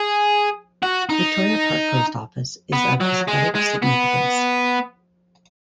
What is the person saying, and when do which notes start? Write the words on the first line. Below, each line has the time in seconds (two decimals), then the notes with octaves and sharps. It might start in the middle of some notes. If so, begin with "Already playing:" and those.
Victoria Park Post Office is of aesthetic significance.
Already playing: G#4
0.83 F#4
1.09 D#4
2.73 B3
3.00 F#3
3.28 G#3
3.55 G#3
3.83 B3